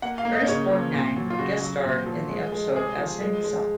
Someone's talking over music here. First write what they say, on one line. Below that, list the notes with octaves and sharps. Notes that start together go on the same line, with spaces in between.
Ernest Borgnine guest starred in the episode as himself.
A#3 F#5
F5
A#3
D#5
C#3 C#5
F3
A#2
F#3
F4
C#3 F#4
F#3
A#2
F3
G#3
G#3
C3 G#4
F3
G#3
G#3